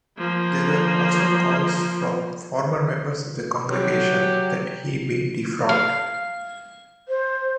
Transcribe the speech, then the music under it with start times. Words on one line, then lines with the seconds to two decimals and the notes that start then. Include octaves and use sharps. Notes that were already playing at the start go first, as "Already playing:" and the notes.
There were also calls from former members of the congregation that he be defrocked.
0.18 F3 A#3
3.70 F#3 G4
5.69 F5
7.09 C5